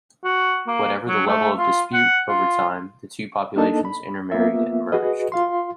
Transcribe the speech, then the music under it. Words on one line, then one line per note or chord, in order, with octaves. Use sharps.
Whatever the level of dispute, over time, the two populations intermarried and merged.
F#4
A#3
F#3
A3
F4
F#5
F4
A#3 D4 D#4 A4 D#5 A5
B5
A#3 B3 F4 E5
F#4 G#4 B4 D#5
F4 F5 C6